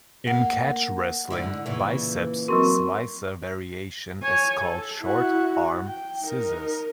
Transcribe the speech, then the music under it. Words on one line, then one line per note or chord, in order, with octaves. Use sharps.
In catch wrestling biceps slicer variation is called short-arm scissors.
A#3 F#5
G#2 D3 E4
A#2 C#3 E3
F#3 C4 F#4 A#4 C6 C#6
C#5 G#5
A4
E4 F#4
G5
D#4 A#4